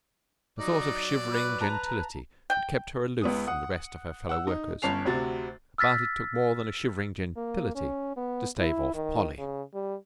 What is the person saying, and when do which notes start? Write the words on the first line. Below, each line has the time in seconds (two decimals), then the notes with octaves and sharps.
A sort of shivering gentility had kept her aloof from the rest of her fellow-workers, but it took more than a shivering gentility to stave off Polly.
0.59 F#3 D#4 D5
1.30 B4
1.60 B4 A5 A#5
2.50 G5
3.21 C#2 B3 D#6
3.47 F#5 D#6
4.29 F#5 E6
4.47 D#4
4.82 G1 C#4 A5 C7 F7
5.05 D2 C3 F#4 A6
5.78 E6 F6 A6 B6
7.37 A#3
7.75 C#4
8.17 B3
8.58 E4
8.94 D#3
9.38 C#3
9.74 G3